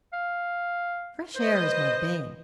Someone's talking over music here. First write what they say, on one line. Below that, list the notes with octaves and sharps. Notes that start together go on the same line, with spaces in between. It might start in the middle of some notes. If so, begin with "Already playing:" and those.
Fresh air is my bane.
F5
B4 C5 D#5